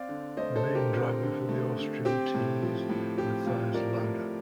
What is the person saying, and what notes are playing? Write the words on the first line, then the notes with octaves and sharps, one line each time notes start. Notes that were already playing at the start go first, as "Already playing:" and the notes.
The main driver for the Austrian team was Mathias Lauda.
Already playing: C4 D5 F5
D3
A3 C5 D#5
A4 C5
D3
G4 A#4
C4
D3
A3
D3
C4 G4
A2
F3
A2
C4 G4
A2 F4
F3 A#4 D5
A2